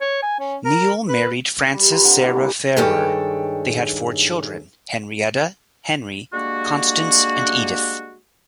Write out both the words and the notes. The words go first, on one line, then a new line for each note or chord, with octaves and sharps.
Neale married Frances Sarah Farrer; they had four children: Henrietta, Henry, Constance and Edith.
C#5
G#5
C#4
A#4
B4
G3
F4 B4 G5 A#5
D3 C4 G4
A#3 E4 G4
D3 E3 G3 G#3
G2 D#3 G#3 G4 A4 C#5
G3 G#3 A#3 D4 F#4